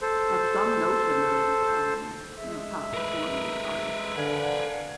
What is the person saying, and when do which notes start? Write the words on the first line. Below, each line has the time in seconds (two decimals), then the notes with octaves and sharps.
have some notion of, um, you know, top performing artists.
0.01 A4 C5
2.37 G#3 G#4 E5
2.94 A#4 B4
4.16 D3 F5 F#5 G#5